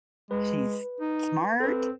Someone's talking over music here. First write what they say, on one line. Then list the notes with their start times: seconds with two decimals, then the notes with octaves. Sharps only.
she's smart,
0.31 G#3 B4
1.01 D#4
1.60 C4 A4 B4